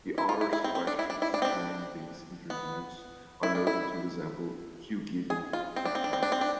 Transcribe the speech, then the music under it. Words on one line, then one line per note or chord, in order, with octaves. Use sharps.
The author's questions during these interviews are noted to resemble "cue-giving" at times.
E4
F4
E4
E4
C4
C4
D4
E4
D4
E4
D4
C4
D4
B3
E4
D4
E4
G#4
F4
C4
D4
C4
D4
C4
D4
C4
D4